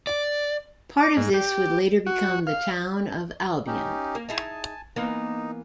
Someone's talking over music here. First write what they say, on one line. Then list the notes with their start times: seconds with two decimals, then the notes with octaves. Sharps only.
Part of this would later become the Town of Albion.
0.07 D5
1.00 D6
1.17 G#2
1.34 G4
2.06 F#4
2.47 F5
3.67 C#4 D#4 G4
4.15 A#3
4.29 D#4 E4 G#4 G#5 A5
4.96 E3 A#3 B3 D#4